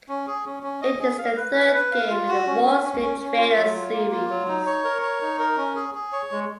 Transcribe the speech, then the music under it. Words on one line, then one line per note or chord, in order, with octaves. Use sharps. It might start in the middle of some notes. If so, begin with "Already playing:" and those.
It is the third game in the "Wall Street Trader" series.
C#4
G#4
C#4
C#4
D#5
G#4
F5
B4
B4
B4
F5
F4
F#4
C#4
C#4
C#4
C#4
C#4
F4
F#3
F4
A#3
F4
F#3
D#4
C#5
A#4
C#5
D#4
A#4
C#4
G#4
G#4
C#5
G#3